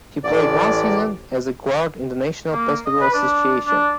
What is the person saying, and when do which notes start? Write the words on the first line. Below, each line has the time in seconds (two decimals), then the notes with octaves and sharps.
He played one season as a guard in the National Basketball Association.
0.24 A1 D5
2.52 A#3
2.86 D#5
3.01 B4
3.13 D4
3.67 D4